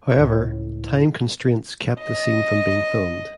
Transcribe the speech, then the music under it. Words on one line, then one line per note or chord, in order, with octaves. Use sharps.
However, time constraints kept the scene from being filmed.
C#2 A2
D#5